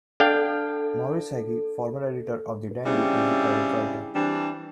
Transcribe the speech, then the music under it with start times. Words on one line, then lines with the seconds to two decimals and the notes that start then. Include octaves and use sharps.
Morris Heggie, former editor of "The Dandy" is the current writer.
0.20 D4 A4 F5 G5
2.85 C#3 G3 C4 D4 E4
4.15 E3 G3 C4 D4